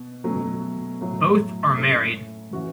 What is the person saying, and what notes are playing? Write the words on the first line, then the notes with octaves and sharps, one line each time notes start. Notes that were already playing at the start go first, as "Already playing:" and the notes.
Both are married.
Already playing: B2
B2 F#3 A3 C#4
A2 F#3 A3
A2 A3 C#4 E4
E3 C#4 F#4